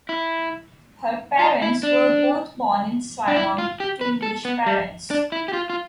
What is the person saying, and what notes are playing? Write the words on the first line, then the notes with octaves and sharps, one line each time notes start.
Her parents were both born in Ceylon to English parents.
E4
F4
E4
D4
D4
E4
F4
G4
B4
A4
B3
G3
D4
E4
G4
F4
F4